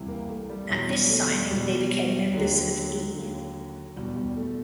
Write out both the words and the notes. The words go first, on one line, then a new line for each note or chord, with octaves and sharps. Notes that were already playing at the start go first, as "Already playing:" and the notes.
At this signing they became members of 'E.
Already playing: C2 C3 E3
A#3
A3
G3
E2 B2 F#3
G3
A3
G3
G#3
E2 B2 G3
D#2 D3 F#3
D#2 D3
E2 B2 G3
G3
A3